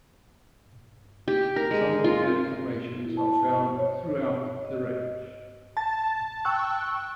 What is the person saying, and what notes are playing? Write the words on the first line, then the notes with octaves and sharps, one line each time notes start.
Some volcanic formations are found throughout the range.
G4
A#4
G#3
F4
E4
A5
C5
C#5
D#5
A5 A6
G5 C#6 E6 F#6